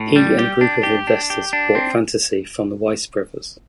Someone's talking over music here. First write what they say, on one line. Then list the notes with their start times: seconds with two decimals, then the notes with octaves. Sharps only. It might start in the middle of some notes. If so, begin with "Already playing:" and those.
He and a group of investors bought Fantasy from the Weiss brothers.
Already playing: A2
0.16 G3
0.39 G4
0.61 D4
0.83 G4
1.07 D4
1.30 G4
1.53 D4
1.75 C4